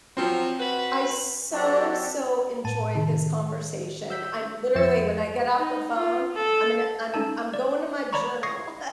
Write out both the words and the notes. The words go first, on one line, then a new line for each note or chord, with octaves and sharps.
I so, so enjoyed this conversation. I'm literally, when I get off the phone, I'm gonna I'm I'm going to my journal.
F3 F#3 C4
F#4 B4
F#3 C4 D4 F#4 G4 A4
A2 A5 D#7
C3 D#3
E6 G6 B6
F2 F3 E5 A6 C#7 E7
D#4
F4
A4
C#4 D#4 A4 A5
D5
C#5 D5 A#5 B5 C#6
C#6 D#6 G#6 A#6 C7